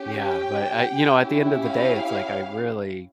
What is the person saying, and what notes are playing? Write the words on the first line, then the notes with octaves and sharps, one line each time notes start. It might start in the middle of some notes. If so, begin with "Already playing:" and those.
Yeah, but I you know, at the end of the day, it's, like, I really
Already playing: C#4 G4
G5
C#4 E4 G4
F5